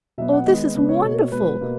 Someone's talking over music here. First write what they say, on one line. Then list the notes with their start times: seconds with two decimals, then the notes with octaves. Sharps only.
Oh, this is wonderful!
0.18 B2 F#3 B3 E5
0.33 F#5
0.46 D#3 G#3 B3 D#5
0.75 C#3 G#3 B3 B4
0.89 C#5
1.04 B2 A#3
1.32 B2 G#3 B3 B4
1.61 B2 A#3